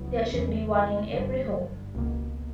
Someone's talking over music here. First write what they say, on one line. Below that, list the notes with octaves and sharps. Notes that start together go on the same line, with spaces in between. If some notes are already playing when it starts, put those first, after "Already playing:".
There should be one in every home.
Already playing: C#2 C#3 F#3 B3 E4
E2 C#3 E3
G1 G2 D3
C#2 B2 A#3